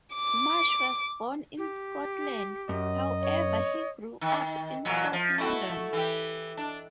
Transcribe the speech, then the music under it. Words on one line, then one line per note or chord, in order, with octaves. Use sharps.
Marsh was born in Scotland, however he grew up in South London.
D6
G4
F#2 D#5
C#5
D#3
E2 A#2 F#3
F3
A3 E4 F#4
E3 G4
D4